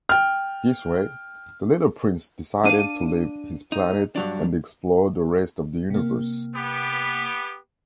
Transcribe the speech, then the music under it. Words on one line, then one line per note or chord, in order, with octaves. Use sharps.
This way, the Little Prince decided to leave his planet and explore the rest of the universe.
G5 F6
D4 F5 D#7
D#4
G2 F#3 D4
C3 A#3
B3 G4